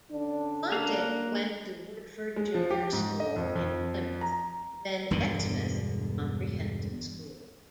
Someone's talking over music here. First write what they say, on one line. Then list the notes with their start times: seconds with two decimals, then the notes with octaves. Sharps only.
Quantick went to Woodford Junior School in Plymouth, then Exmouth Comprehensive School.
0.11 D3 C#4 D4
0.72 A#3 F5 F#5
2.36 G#3
2.55 F3
2.70 G4
2.93 G#2
3.20 D#5
3.36 F2
3.55 F2
4.21 A#5
5.11 E1 G2 B2 D3